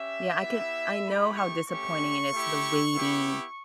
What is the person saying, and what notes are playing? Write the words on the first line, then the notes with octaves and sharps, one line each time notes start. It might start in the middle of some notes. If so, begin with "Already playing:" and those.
Yeah, I can I know how disappointing it is, the waiting,
Already playing: C#4 G4 E5
B3 E4 G4
A3 E4 G4 B5
C#6
A3 C#4 G4 C#6
A3 E4 G4
B3 E4 G4